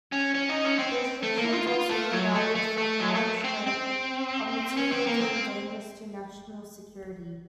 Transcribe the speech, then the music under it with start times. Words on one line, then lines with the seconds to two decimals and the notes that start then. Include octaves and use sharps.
The restrictions also provided for prior restraint of material deemed dangerous to national security.
0.12 C#4
0.35 C#4
0.49 D#4
0.64 C#4
0.79 C4
1.23 A3
1.38 A#3
1.52 F4
1.67 F4
1.89 A3
2.12 F#3
2.34 A3
2.55 A3
2.78 A3
3.00 F#3
3.15 A3
3.44 C4
3.67 C4
4.77 C#4
4.92 C4
5.07 A#3
5.21 C4